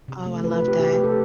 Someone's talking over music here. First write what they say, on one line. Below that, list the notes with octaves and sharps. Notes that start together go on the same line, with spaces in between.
Oh, I love that,
C3
A3
F3 B4
B4
C3
G4
C3 G4
G4
A3
A4